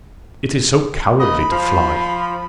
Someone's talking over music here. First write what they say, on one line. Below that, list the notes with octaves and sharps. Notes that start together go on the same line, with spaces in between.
"It is so cowardly to fly!"
C#3 A#3 D#5 B5
F3